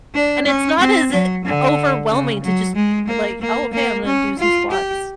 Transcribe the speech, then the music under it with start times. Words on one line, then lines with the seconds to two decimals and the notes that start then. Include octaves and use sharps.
And it's not as i overwhelming to jus, eh, b like, "Oh, okay I'm gonna do some squats
0.15 D4
0.47 C#4
0.80 C4
1.12 F#3
1.45 D3
2.10 C#3
2.44 F#3
2.76 G#3
3.08 A#3
3.42 A#3
3.73 A#3
4.06 C#4
4.39 F4
4.71 G4